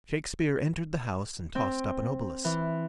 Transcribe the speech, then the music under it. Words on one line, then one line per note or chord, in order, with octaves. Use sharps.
Shakespeare entered the house and tossed up an obolus.
C4
E3